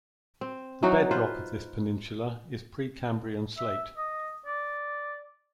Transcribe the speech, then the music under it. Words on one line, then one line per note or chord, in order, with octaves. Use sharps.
The bedrock of this peninsula is Precambrian slate.
C4
E3 F#3 D#4 F#4
F4 B4 C5
E5
D#5
D5